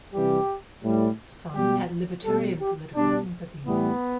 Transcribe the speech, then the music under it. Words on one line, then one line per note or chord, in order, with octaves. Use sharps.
Some had libertarian political sympathies.
C3 E3 G3 G4
A2 G3
B2 G3 G4
B2 G3 A4
G4
B2 G3 D4
A2 E3 G3 B3